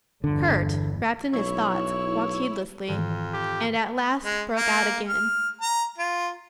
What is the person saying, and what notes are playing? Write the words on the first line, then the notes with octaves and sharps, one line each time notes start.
Kurt, wrapped in his thoughts, walked heedlessly, and at last broke out again.
G1 E2 D3
B1 E4 C#5
F2 G#2 D#3 E3
G4
G#3
A#3
F6
A#5
F4